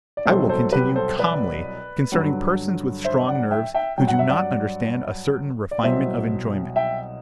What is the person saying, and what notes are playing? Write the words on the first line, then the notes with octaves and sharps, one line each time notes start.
I will continue calmly concerning persons with strong nerves who do not understand a certain refinement of enjoyment.
D5
C2 B2 F#3 A4 C5
A4 C5
G4 B4
A4 C5
B4 D5
G2 D3 F#3
C5 E5
D5 F#5
E5 G5
E5 G5
G2 F#3 G5
F#5
E5
D5 F#5
D5
C2 B2 F#3 C5 E5
E5 G5